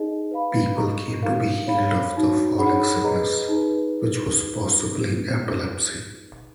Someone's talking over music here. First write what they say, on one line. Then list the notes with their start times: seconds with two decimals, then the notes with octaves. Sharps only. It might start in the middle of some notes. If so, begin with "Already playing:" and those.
People came to be healed of the "falling sickness", which was possibly epilepsy.
Already playing: D#4 G#4 D#5
0.31 B4 F5 B5
0.76 A#4 D#5 A#5 C#6
1.22 D#4 A#4 F5
1.67 C#5 F5 B5
2.12 D#4 F#4 C#5
2.58 D#4 G#4 C#5 F#5 B5
3.03 G#4 B4 D#5 A#5
3.49 D#4 G#4 B4